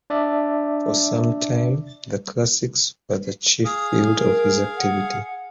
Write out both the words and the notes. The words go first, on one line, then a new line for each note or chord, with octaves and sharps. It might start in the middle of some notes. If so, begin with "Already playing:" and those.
For some time the classics were the chief field of his activity.
D4 D5 E5
G#4 F5 D#6
A#4
F#5